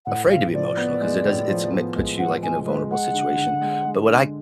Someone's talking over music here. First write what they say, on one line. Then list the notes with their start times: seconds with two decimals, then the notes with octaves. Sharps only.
afraid to be emotional 'cause it does it's ma puts you, like, in a vulnerable situation. But what I
0.06 A2 F#5
0.30 F3 F5
0.54 F3 D5
0.77 B3
1.01 G#3
1.25 A2
1.48 F3
1.72 B3
1.96 G#3
2.19 F3 F#5
2.42 G#3 G#5
2.66 G#3 B4
2.91 G#3 F#5
3.14 D3
3.38 D3
3.62 G#3
3.85 G#3
4.09 D3